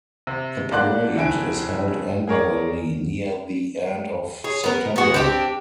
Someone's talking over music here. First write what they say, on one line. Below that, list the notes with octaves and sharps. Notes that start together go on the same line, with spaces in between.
The parade is held annually near the end of September.
C3
B1 A#3 D5 F#5 C6 F#6
F1 E4 G#5 D7
G#4 A#4 C#5 D5
G#4 C#5
B3 A#4
B3 F#4 G#4
C4 D4 D#4 G4